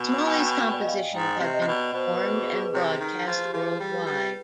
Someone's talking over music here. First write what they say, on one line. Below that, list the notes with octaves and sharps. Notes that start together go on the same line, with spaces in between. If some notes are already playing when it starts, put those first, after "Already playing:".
Smalley's compositions have been performed and broadcast worldwide.
Already playing: B2 G#5
G#5
G5
G5
D5
D#5
F5
G#2 G5
D#5
C3
D#5
C3
B2
D5
B2 C5
B4
G#4
G#4
B4
C3 G#4
D#3
F3
F4
G4
F3 G#4
G3
B4
G3